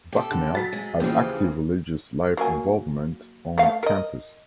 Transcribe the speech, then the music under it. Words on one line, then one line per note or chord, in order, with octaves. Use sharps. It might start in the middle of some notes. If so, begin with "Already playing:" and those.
Bucknell has active religious life involvement on campus.
G4 A4
D3
F#3 A6 B6
G#3
D#2 C#3 E3 F3 G4
F#3 A#3 G#5
A3 F5
A#4 D#5